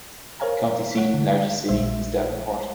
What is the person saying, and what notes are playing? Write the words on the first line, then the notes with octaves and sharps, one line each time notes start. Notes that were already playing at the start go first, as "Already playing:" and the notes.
The county seat and largest city is Davenport.
A#4 C5 C#5 F5 G#5 A#5
A3 E4 C#5 F#5
D3
A#1 A#2 G3 G#3 C5 E5